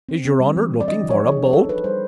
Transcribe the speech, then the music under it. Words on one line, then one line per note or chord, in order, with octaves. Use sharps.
"Is your honour looking for a boat?"
C4
C4
G3
E3
E3
D5
D4 D#5
F3
C#5
F3
G#4
D4
D#4 A4
D#4 B4
G3 C5